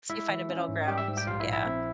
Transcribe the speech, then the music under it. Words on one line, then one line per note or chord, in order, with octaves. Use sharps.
So you find a middle ground, yeah.
G#3 E4 E5
E3
C#4
G#2
G3 G4 G5
E5 E6
G#2
G4 G5
A#1 F4 F5
E4 E5
A#1
E4 E5
C4